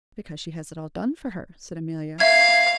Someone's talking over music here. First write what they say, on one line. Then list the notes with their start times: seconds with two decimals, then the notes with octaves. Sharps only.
"Because she has it all done for her," said Amelia.
2.20 E5 F5 G#6